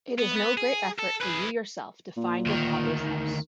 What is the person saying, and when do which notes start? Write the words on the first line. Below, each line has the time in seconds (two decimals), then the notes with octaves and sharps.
It is no great effort for you yourself to find your father’s house.
0.18 B3
0.36 B3
0.58 G#4
0.98 A4
1.21 G#4 B4
2.17 A#2
2.46 D2 D#3